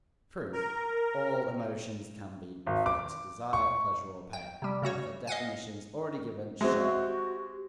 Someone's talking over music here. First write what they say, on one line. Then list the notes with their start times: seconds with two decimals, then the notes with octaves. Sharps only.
Proof.--All emotions can be referred to desire, pleasure, or pain, as their definitions, already given, show.
0.53 A#4
2.67 G#1
2.86 D6
3.53 C#6
4.33 G5
4.62 C3 G3
4.82 C#3 A3 F#4 C#5
5.27 D#5 F5 F#5 G#5
6.61 G#3 C4 F#4 E5
7.05 G4